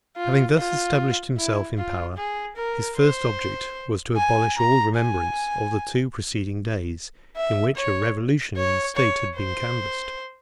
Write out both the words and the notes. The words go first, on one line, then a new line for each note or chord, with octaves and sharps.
Having thus established himself in power, his first object was to abolish all remembrance of the two preceding days, in which a revolution in the state had been canvassed.
F4
F4
E4
F4
G#4
A#4
C5
G#5
A#5
G#5
E5
C#5
C#5
C#5
C5